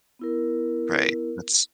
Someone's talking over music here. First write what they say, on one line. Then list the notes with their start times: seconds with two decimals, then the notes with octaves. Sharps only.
Right. That's
0.19 B3 E4 A#4